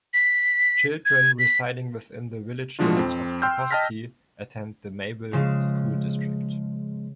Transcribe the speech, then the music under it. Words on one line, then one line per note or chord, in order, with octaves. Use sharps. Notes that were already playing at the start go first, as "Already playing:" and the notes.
Children residing within the village limits of Kekoskee attend the Mayville School District.
B6
G#6
B6
B2 E3 F3 G#3 D4 F4
F2 C4
G5 C6 E6 F6 G6
D#5 G5 A5 F6 A#6 B6
C#3 F3 G#3 E7